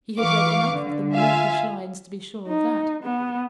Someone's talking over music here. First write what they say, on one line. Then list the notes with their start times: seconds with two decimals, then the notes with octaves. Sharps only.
He had read enough of the mawkish lines to be sure of that.
0.20 E3 B4 F5 C#6 D6
0.72 D3
1.13 F4 E5 F5 G#5
2.48 D#4
3.04 B3